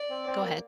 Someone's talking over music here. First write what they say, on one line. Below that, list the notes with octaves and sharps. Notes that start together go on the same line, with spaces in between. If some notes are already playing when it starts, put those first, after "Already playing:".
Go ahead.
Already playing: D5
C4
C4
A#3